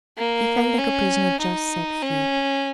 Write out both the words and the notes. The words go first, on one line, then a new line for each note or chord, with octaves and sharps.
He felt like a prisoner just set free.
A#3
C#4
D#4
C#4